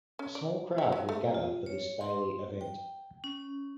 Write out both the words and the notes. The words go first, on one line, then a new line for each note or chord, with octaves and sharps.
A small crowd will gather for this daily event.
C#4
D5
E5
F#3
A3
F4
C#5
C6
G5
C#4